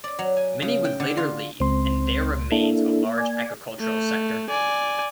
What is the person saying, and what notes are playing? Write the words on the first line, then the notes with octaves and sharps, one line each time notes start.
Many would later leave, and there remains a large agricultural sector.
D5
F#3
G#5
C#3
G5
D3
F4
C#2 C4 C6
A#3 D4 E4 A4
D5 G#5
A3
D5 G#5